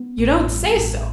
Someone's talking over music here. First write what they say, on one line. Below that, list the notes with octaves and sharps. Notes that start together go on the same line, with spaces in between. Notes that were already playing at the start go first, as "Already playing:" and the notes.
"You don't say so?"
Already playing: B3
A1
G2
A1